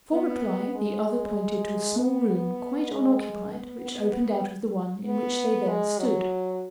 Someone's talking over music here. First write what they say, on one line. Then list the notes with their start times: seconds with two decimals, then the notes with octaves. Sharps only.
For reply, the other pointed to a small room quite unoccupied which opened out of the one in which they then stood.
0.13 B3
0.75 G#3
1.98 B3
2.29 B3
2.91 G#3
3.53 B3
3.83 B3
4.14 B3
5.07 B3
5.68 G#3
5.99 F#3